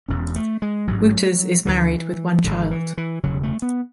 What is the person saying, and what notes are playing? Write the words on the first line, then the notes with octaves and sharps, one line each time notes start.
Wouters is married with one child.
E1 E2 B2 C#4
A3
G#3
A1 G#2 F#3
D2 D3 E3
G#1 G#2 D3
E3
E3
E1 D2 C#3 F#3
A3
B3